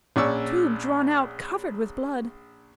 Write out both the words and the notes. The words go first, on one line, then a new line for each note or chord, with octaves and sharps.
Tube drawn out covered with blood.
A#1 C#4 D5 C#6 E6